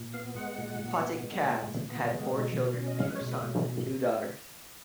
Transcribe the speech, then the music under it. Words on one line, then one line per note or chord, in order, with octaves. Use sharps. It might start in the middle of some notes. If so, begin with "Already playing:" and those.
Pottekkatt had four children- two sons and two daughters.
Already playing: A#2
B3 F5
G#3 F#5
A#2
A#2
B3
G#3
A#2
A#2
B3
G#3
B2
B2
C#4
D#5
G#3 F5
B4
C#5
B2
B4
B2